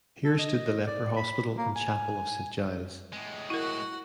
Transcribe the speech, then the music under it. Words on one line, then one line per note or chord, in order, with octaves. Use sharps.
Here stood the leper hospital and chapel of Saint Giles.
A4
D#5
D5
B5
A#3
G#5
A2 G#3
E4 F#4 A#4 F#5